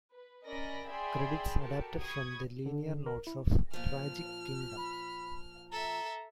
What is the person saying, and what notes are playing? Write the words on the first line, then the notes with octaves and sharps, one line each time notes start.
Credits adapted from the liner notes of "Tragic Kingdom".
B4
C#4 A#4 D5 D#5 B5 A#6
G#4 D5 E5 G5 B5 C6
F#4 G4 A4 A#4 A5
B5 C#6 D#6 G#6
D3
A#4
E4
A#2 F3 F6
B5
A4 E5 A#5